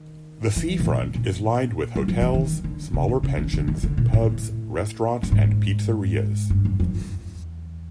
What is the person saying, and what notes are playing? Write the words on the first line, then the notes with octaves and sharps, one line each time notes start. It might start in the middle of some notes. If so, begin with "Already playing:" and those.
The seafront is lined with hotels, smaller pensions, pubs, restaurants and pizzerias.
Already playing: D#3
E3
B2
A#2
A#2
F#3
F3
E3
D#3
D3
C#3
D3
C#3
D#3
D3
D#3
D3
A#2
A2
G2
G#2
G2
F#2
F2
E2